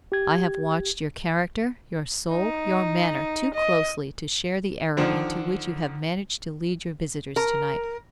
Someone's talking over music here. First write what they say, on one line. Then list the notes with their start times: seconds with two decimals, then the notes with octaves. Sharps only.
I have watched your character, your soul, your manner, too closely to share the error into which you have managed to lead your visitors to-night.
0.12 G4 G#6
2.32 D#4
3.54 D#5
4.97 D3 D#3 F3 D4
7.36 A#4